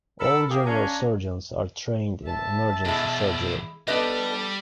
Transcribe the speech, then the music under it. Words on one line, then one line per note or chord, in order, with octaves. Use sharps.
All general surgeons are trained in emergency surgery.
A4 A#4 B5 E6
A#3 G4 G#4
A#3 C#4 D4 G#5 A#5
E5 A5
E2 B2 G#3 E4
G3 B3 D4 A4 B4 D#5